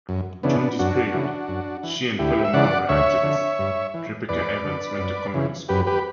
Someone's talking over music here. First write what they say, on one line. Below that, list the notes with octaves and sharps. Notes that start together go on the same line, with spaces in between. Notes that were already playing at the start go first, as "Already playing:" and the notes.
During this period she and fellow Maori activist Ripeka Evans went to Communist Cuba.
F#2
C#3 E3 B3 D4
F#2 D4 F#4
C#3 E3
F#2
E3
D2 E4 G4
E5
C#3 E3 D5 F#5
D2 C#5 E5
D3
G2
E3
E2 B4 D5
D3
F#2
C#3 E3
F#2 G4 B4
G4 B4